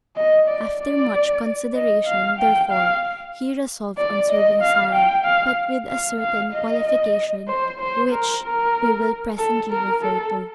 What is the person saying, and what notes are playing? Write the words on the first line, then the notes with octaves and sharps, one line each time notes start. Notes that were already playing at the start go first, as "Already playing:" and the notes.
After much consideration, therefore, he resolved on serving Sarah, but with a certain qualification, which we will presently refer to.
D#5
D5
D5
D#5
F5
G5
F5
D5
D#5
F5
G5
F5
F5
F5
D#5
C5
C5
A#4
A#4
A4
A#4
A4